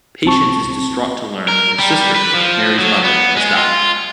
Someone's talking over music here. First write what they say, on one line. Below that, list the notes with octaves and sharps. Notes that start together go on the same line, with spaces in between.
Patience is distraught to learn her sister, Mary's mother, has died.
C2 C4 A5 C#6
A#4
G3
B4
F3
F#3
B3
G#3
F4